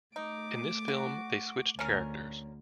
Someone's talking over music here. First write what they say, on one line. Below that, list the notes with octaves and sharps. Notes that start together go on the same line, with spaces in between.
In this film, they switched characters.
A3 D#4 D6
F#4
D2 C#4 A#4